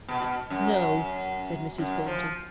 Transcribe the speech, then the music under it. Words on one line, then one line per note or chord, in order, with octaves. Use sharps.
'No!' said Mrs. Thornton.
B2
B2
F#2
F#2
F3